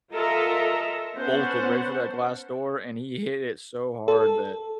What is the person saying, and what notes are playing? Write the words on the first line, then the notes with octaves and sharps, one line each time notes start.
bolted right for that glass door, and he hit it so hard that,
F4 A4 A#4 D#5 E5 A#5
B3 C#4 C5 F#5 A5
A4